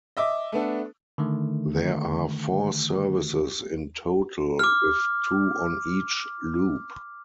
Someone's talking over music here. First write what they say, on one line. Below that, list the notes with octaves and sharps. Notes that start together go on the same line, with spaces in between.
There are four services in total, with two on each loop.
D#5 E5 D6
A3 B3 D4 A4
D3 D#3 A3
D6 F6